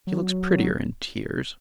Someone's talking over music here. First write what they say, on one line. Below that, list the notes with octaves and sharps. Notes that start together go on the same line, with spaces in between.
She looks prettier in tears.'
F#3